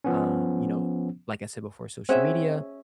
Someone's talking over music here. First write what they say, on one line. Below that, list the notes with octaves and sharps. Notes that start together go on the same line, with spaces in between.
um, you know, like I said before, social media.
F3 B3 C#4
C4 C#4 G#4 C5 E5 F#5